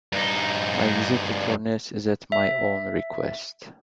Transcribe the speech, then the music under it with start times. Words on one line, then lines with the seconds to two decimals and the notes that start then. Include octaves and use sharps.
My visit to Torness is at my own request.
0.13 G2 D#4
2.32 E5